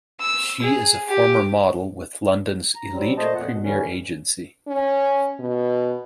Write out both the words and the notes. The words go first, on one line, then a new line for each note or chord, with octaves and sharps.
She is a former model with London's Elite Premier agency.
E6
G#4
G4
A#5
F#3 G3 C4
A#2 A3 C5 D#5 A5
F2 A#2 F#5
B2
D3 E3 G3 C#4
C#4
B2